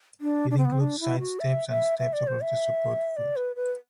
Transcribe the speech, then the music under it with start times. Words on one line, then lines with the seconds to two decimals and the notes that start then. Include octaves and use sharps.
It includes side steps and steps across the support foot.
0.21 D4
0.51 D4
0.58 C4
0.65 B3
0.72 C4
0.80 D4
1.00 E4
1.20 F#4
1.40 E5
1.69 E5
1.99 E5
2.13 D5
2.27 C5
2.42 E5
3.17 D5
3.36 B4
3.56 B4